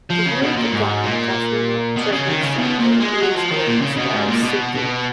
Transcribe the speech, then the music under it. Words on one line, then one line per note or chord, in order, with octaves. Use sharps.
The Yuri Gagarin Cosmonaut Training Center is in Star City.
F3
C#3
B2
A#2
G#2
A#2
B2
C#3
D#3
C#3
B2
A#2
G#3
F#3
F3
D#3
A#2
C#3
B2
G#2
A#2
B2
B2